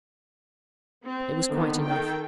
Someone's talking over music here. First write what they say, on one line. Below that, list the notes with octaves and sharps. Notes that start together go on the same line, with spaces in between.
It was quite enough.
C4
D3 D#3 B3
D#3 A4 G5